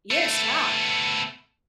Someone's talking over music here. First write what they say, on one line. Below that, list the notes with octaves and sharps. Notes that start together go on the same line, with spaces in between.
Yeah, shocked,
A3 B3